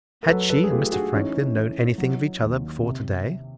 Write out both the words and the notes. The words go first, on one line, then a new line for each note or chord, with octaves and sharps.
Had she and Mr. Franklin known anything of each other before to-day?
A#4
F#3 A4 B4
A4 B4
G#4
A3 F4 G4
F#4 G#4
E3 C#4 D#4
E3
F#3
D#2
C3